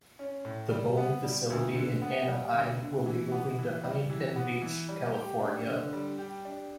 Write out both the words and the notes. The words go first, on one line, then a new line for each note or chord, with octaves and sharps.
The Boeing facility in Anaheim will be moving to Huntington Beach, California.
C#4
A2
G3
B3
G3
D2
D3
B3
G3
D2
D3
E3
B3
E3
G3
E3
B3
E3
G3
G4
D4
D3
G3
G4
D4